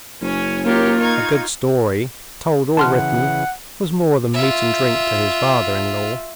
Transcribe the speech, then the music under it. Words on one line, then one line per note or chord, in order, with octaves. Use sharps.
A good story, told or written, was more than meat and drink to his father-in-law.
F#1 C#4 C#5 G#5
A#3 F4 G4 A#4 C#5
D#4 C#6 G#6
C#3 E3 F#5 A5 C6 F6
F4 E5